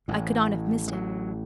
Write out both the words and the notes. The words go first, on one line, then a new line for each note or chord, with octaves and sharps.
I could not have missed it.
A1 A2 E3
G#3
F#3